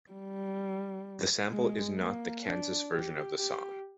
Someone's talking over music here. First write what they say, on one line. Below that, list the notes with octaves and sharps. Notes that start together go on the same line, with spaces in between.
The sample is not the Kansas version of the song.
G3
G#3
A#3
D4
G4
G4